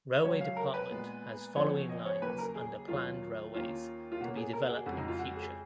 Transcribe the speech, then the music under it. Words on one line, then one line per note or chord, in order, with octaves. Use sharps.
Railway Department has following lines under planned railways to be develop in future.
C#2 C#3 F#3 C#4 C#5
F5
A#4
B4
A#2 G#3 B3
C#2 C#3 F3 B3 C#5
D#5
C#5
D#2 C#3 F#3 A#3 B4
A#4
G#4
D#2 D#3 F#3 C#4 F4
D#2 D#3 A#3 C#4 F4
F4
B2 A#3 C#4 F#4
G#4
A#4
F#4
G#4
F2 C#3 G#3 F#4
D#4
F4
F#4
G#4